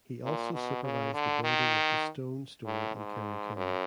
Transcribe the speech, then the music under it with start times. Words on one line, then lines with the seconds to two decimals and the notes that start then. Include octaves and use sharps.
He also supervised the building of the Stone Store in Kerikeri.
0.24 A#2
0.54 B2
0.84 C#3
1.14 D3
1.44 D#3
2.66 A2
2.95 G#2
3.56 F#2